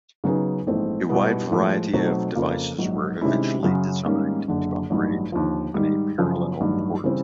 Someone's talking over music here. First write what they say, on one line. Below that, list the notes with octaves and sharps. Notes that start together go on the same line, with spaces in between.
A wide variety of devices were eventually designed to operate on a parallel port.
C#3 F#3 B3 D#4 G#4
A#1 G#2 E3 A3 C4
B2 G3 B3 E4
A2 F3 G#3
B2 F#3 A3 C4 D#4
F2 C#3 F3 A#3
A#1 G#2 D#3 F#3
C3 D#3 G#3 C#4 E4
F#2 C#3 F#3
G#2 D#3 G3 A#3 C#4
F#1 F#2 D3
A1 G2 D#3 F#3
D#2 D3 F3
G#2 D#3 G3
F#2 C#3 F3
A1 G2 D#3 F#3
C#3 E3 G3 C4